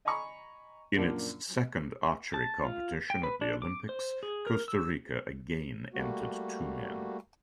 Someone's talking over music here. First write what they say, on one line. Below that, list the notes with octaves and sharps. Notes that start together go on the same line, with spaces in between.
In its second archery competition at the Olympics, Costa Rica again entered two men.
D#5 G#5 A#5 B5 C#6
F#2 A#2 C#3 F3 A#3 D4
A5
F4
G5
B4
D4
D6
C5
G#4
A#4
E6
G3 A3 A#3 F#4